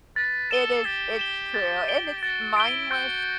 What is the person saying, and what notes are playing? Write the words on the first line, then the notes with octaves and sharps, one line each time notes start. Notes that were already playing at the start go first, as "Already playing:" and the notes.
It is it's true, and it's mindless.
B4 A6
A4 E7 G7
G4 A6
E7 G7
A6
D7 G7
F#4 A6
E4 D7 G7
F#4 G6